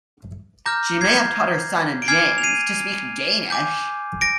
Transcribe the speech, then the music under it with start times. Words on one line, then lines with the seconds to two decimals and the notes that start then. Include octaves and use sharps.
She may have taught her son James to speak Danish.
0.66 A#5 D6 F6 G6 A#6
1.01 G#6 C7
2.02 D7
2.08 G#5 D6 F6 G#6 C7
2.38 F7
2.43 C7 D#7
3.50 G#5 D6 G6
4.21 A#6 D7